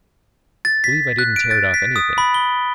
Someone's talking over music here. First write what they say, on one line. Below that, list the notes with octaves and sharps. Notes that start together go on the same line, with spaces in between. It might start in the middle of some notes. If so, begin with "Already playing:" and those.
I believe I didn't tear it off anything.
A6
B6
F#6
D7
A6
B6
D#6
B5
G7